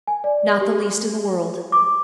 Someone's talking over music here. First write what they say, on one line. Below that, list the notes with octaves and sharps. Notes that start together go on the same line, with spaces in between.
"Not the least in the world."
G#5
D5
G4
G#4
D6